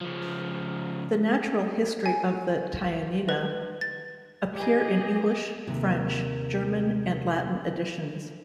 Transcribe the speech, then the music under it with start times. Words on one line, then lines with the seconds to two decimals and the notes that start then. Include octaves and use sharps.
The "Natural History of the Tineina" appeared in English, French, German and Latin editions.
0.01 C#3 F3
2.06 G#5
3.29 B4
3.81 A6
4.54 G4 G#4 D#5
5.67 D#2 C3